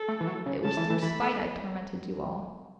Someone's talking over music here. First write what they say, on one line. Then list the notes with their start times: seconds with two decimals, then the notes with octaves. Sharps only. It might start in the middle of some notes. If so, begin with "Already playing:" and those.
It was through spite I tormented you all.
Already playing: A4
0.08 A3
0.20 E3
0.27 F#3
0.46 C#3
0.64 C#3 A5
0.77 E3
0.90 E3
1.02 E3 B5
1.21 A3